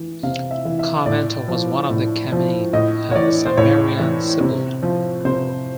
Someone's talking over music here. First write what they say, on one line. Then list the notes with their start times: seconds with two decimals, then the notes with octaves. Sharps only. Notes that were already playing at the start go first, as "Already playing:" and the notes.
Carmenta was one of the Camenae, and the Cimmerian Sibyl.
Already playing: E3
0.23 C3 F5
0.51 E5
0.65 E3
0.79 E5
1.06 A2 D5
1.48 F3
1.90 A2
2.32 F3
2.73 A2 D#5
3.11 C#5
3.16 E3 D5
3.45 C5
3.57 A2 C#5
3.99 E3
4.41 C3
4.83 F3
5.25 C3 C5